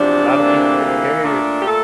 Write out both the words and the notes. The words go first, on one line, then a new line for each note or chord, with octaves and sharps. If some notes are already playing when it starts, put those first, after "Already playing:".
Lotta people get scared
Already playing: E2 C3 F3 D4
D2 C3 E3 A#3
A#2 A3 D4
G4
A4